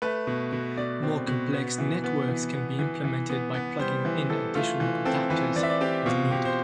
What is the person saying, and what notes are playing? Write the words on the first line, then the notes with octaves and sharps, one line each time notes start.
More complex networks can be implemented by plugging in additional adapters as needed.
A3 B4
B2
B2
B2 D5
C4
B2
B3
E3
B3
E3
B3
E3
E3
B3
B3
G3 C5
E3
E3 A4
A3 F4
E3
C4 A4
E3 B4
E3 D5
E5
D5
C4 G4
B2 F4
B2 G4
C5